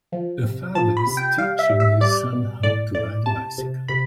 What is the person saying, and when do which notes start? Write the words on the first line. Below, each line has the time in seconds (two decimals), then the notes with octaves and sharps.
A father is teaching his son how to ride a bicycle.
0.12 F3
0.43 C3
0.75 F3 A5
0.97 B5
1.07 C3
1.17 G5
1.38 G3 F5
1.59 E5
1.70 G3
1.80 E5
2.00 G3 D5
2.33 B2
2.63 A2 D5
2.95 A2 D5
3.26 C3 A5
3.58 C3
3.88 C3 B5